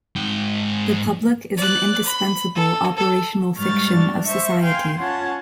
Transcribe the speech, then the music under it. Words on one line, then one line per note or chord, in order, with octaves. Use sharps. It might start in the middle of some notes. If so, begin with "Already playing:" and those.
The public is an indispensable operational fiction of society.
G#2 G5
D5 F#6
B5
A4
A4
G#2 G3 G#3 C#6 F6 A6
D4
C5 E5 C#6
F5 G5 G#5 C6
C#4 F4 F#5 A5